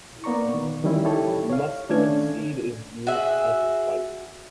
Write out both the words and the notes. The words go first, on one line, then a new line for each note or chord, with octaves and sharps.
Mustard seed is used as a spice.
A#3 B3 D5 A#5 C#6
D#3
D#3 E3 G3 C#4 E4
D#4 E4 G4 A4 C#5
C#5 F5
D#3 A3 C#4 D4 A4 G#6
F#4 G#4 E5